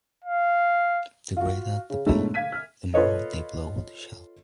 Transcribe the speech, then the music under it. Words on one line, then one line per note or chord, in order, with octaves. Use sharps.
The greater the pain, the more they blow the shell.
F5
F4 F#4
C#3
G#2 B2 F#3 A3 D4 E4
F5 G#6 B6 D#7
F6
F4 A4 B4 C#5 D#5